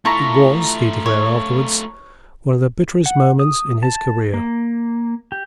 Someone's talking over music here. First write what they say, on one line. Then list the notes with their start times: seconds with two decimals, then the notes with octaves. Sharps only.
It was, he declared afterwards, one of the bitterest moments in his career.
0.05 A3 E4 F4 A5 A#5 C#6
1.06 C#5
3.06 F#5
3.39 D#6
3.83 A5
4.34 A#3
5.32 G4